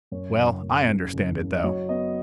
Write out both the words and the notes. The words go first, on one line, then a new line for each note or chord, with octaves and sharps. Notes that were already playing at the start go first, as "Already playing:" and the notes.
Well, I understand it, though.
F#2 C#5
F#1
F#2
C#3
F#1
C#3
D#5
F#3 C#5
B3 D#5